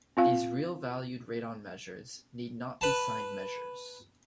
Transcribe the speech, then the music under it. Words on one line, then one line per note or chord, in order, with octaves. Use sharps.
These real-valued Radon measures need not be signed measures.
C4 F4 F5
B4 A5